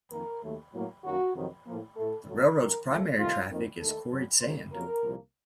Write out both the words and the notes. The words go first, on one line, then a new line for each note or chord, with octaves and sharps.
The railroad's primary traffic is quarried sand.
F2 D#3 A#3 A#4
D#2 D#3 F#3 A3
A2 F#3 A#3
F#2 D#3 F#3 A#3 F#4
F2 C3 D#3 F#3
A2 F3 A#3
A2 A3 A4
A#2 F#3 A3
F#2 D#3 A3 A#4
C#2 C#3 F3 A3
C2 C3 D#3 A3 F4
F2 D#3 A#3
D#2 D#3 A3 A4
F#2 C#3 F#3
C#2 C#3 F#3 A#3 C5
F2 C#3 F#3 A#3 A#4
C2 A#2 F3 A#3